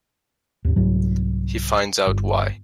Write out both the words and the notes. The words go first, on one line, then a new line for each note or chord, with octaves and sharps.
He finds out why.
D#2 G#2
C2 G#2 F#3
G1